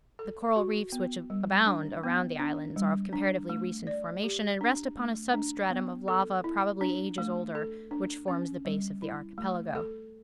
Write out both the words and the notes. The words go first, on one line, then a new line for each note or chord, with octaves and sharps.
The coral reefs which abound around the islands are of comparatively recent formation, and rest upon a substratum of lava probably ages older, which forms the base of the archipelago.
A4
F#4
B3
G3
D4
B3
D4
G3
D4
A3
D5
G4
D4
A3
D4
B3
A4
E4
D4
A3
A4
D4
C#4
G3
E4
A3
A4